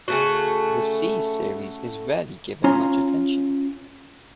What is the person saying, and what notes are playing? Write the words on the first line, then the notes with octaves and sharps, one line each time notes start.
The "C"-series is rarely given much attention.
C#3 A3 F#4
C#4 F4 C#5 G#5 A#5 B5